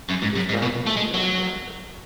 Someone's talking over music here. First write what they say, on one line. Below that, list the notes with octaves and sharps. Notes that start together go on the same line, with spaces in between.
you're just wrapping some yarn around it,
F#2
G#2
F#2
G#2
B2
A3
G#3
F#3